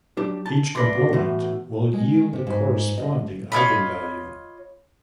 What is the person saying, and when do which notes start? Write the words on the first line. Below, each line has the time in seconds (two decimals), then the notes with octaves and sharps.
Each component will yield a corresponding eigenvalue.
0.17 F#3 D4 G4
0.46 A5
0.75 C2 B4 D5 C6 D6 A#6
0.95 B3 F#4
1.13 A2 E3
1.93 G#3
2.33 C3
2.47 G#2
2.98 D#5
3.52 F4 C#5 D#5 B5